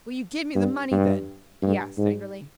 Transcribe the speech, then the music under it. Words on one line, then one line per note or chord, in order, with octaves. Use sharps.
"Will you give me the money then?" he asked angrily.
G2
G2
G2
G#2